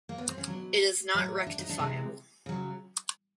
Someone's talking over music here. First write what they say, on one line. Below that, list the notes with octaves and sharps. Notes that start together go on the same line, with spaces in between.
It is not rectifiable.
A#3
B3
C4
C#4
B2 F#3 D4
A2 F#3
D4
D#4
D4
C3 E3 G#3
C#3 F#3